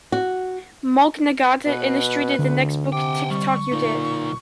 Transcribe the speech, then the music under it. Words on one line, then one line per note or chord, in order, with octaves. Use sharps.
Mark Nagata illustrated the next book, Tick Tock, You're Dead!
F#4
B2 B4
D2 D3
C3 F#5 G5 D6
G3 C#6
B1 A#2 D#4